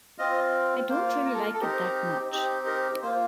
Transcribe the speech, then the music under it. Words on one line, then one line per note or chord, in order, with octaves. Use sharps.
I don't really like it that much.
C4 F4 D#5
A#3 F4 C5
A#4
A4
A#4
A4
C4 D#4 G4 A#4
C4 D#4 G4
A#4
A#3 F4 C5